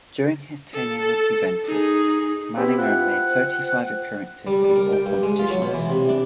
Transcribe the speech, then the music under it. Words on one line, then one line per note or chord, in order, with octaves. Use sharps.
During his tenure with Juventus, Manninger made thirty-five appearances in all competitions.
A4
D#4 G#4
C4 E4 G4 B4
F4 C5 E5 F#5 G5
G3
G3
A#4
G5
G2
G#3
F4
F#3
B2
E3
C3
D4